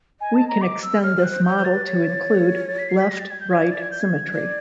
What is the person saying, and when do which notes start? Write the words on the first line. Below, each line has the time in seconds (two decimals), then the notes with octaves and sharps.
We can extend this model to include left-right symmetry.
0.20 D#5 G#5
0.34 A5
0.49 A#5
0.61 D6
0.83 E6
1.03 C#5 F6
1.17 C5
1.24 F#6
1.31 C5
1.44 C#5 G6
1.57 C5
1.64 A6
1.72 B4
1.86 C#5
2.68 A6
2.78 B6
2.89 C7
2.99 B6
3.10 A#6
3.19 A6
3.30 G#6
3.40 G6
3.50 D5 G#6
3.72 A6
3.81 G#6
3.91 G6
4.01 G#6
4.33 D5